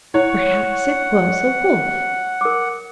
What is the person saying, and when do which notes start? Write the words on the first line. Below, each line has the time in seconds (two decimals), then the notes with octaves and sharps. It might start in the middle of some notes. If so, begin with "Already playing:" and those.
Perhaps it was a wolf.
0.14 E4 C#5 F#5
2.41 A#4 D6